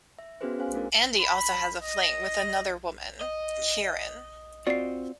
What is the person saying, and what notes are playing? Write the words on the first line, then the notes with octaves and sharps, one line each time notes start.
Andy also has a fling with another woman, Keiran.
E5
B3 C#4 F#4 G#4 B4 C5
C#4 F#4 G#4 C5 F5 G#5
A3 C#4 D4 E4 A#4
B5
D#5
D#5
C4 F4 F#4 D5 C7